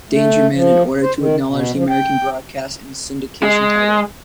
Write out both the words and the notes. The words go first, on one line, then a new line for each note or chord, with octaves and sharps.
Danger Man in order to acknowledge the American broadcast and syndication title.
A3
F3
C5
D#3
B2
F3
G5
G#3